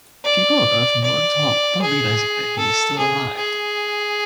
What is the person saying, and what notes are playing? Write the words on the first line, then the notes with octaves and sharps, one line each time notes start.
People on Earth mourn Tom, not realising that he is still alive.
D5
D5
G#4
A4
G#4
G#4